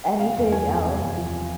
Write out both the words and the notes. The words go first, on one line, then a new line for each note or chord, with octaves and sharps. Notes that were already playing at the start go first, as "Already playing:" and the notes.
anything else,"
C3 F5
E2
F3 G#5
E2
C3
E2
F3